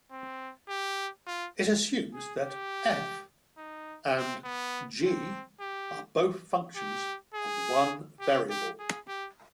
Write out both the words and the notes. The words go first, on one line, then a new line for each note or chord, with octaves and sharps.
It assumes that "f" and "g" are both functions of one variable.
C4
G4
F4
G#4
G4
D#4
C4
B3
C4
G4
G4
G#4
G4
G4
G#4
G4